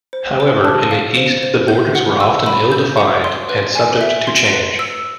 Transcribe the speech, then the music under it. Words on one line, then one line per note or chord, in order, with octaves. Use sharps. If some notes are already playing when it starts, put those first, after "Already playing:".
However, in the east the borders were often ill-defined and subject to change.
C5
C5
A5
F5
C5
C5
G6
F#5
E6
B5
G6
F#5
C6
B4
G#5
E5
C6
B4
E6